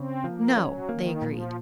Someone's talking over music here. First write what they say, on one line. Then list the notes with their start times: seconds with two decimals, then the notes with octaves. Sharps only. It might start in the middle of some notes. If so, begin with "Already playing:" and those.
"No," they agreed.
Already playing: C#3 C4
0.24 F3 A#3
0.56 F#3 C#4
0.89 D#3 A#3
1.22 A#2 F3